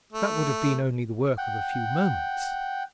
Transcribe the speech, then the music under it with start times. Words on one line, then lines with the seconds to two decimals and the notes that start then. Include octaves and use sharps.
That would have been only the work of a few moments.
0.12 A3
1.38 F#5 G5